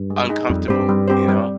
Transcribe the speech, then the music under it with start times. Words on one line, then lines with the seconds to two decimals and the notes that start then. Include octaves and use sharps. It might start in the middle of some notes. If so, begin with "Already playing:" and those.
uncomfortable, you know?
Already playing: G2
0.10 G#3
0.29 D#4 G#4
0.50 F2 G3
0.68 G2 C4 G4 C5
0.89 G3
1.08 C4 G4 C5
1.28 G3